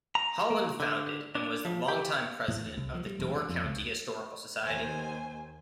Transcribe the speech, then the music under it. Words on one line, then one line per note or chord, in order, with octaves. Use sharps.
Holand founded and was the long-time president of the Door County Historical Society.
A#5
A#3
D3
D4
F3
G4
A2
D2
C2
F3
G3
E1
G2
F2
C#2
D#2 D#3 C5 G#5